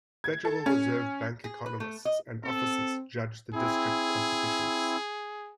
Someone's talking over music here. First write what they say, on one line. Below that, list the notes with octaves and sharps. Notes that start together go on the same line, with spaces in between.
Federal Reserve Bank economists and officers judge the district competitions.
G#6
A4
C#4
G#4
B4
A3
D#5
C4 A4
C4 E4 G#4